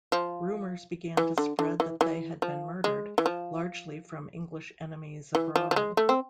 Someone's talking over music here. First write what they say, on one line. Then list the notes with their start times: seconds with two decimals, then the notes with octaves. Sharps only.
Rumours began to spread that they had been murdered, largely from English enemies abroad.
0.12 F3
1.17 E3
1.38 D3
1.59 D3
1.80 E3
2.01 E3
2.42 F3
2.84 G#3
3.18 E3
3.26 F3
5.35 E3
5.56 F3
5.71 F3
5.76 G#3
5.97 A3
6.09 C4